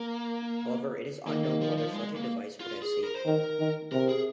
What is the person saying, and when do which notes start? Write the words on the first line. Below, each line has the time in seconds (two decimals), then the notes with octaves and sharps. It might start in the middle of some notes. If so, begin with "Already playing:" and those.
However, it is unknown whether such a device would have saved Moore.
Already playing: A#3
1.27 D#3 A#3
1.44 A#3
1.61 F3
1.77 F3
1.94 G#3
2.16 A#3
2.60 F4
2.82 G#4
3.04 A#4
3.16 C5
3.26 D#3 A#4
3.60 D#3
3.92 C3 A#4
4.09 G#4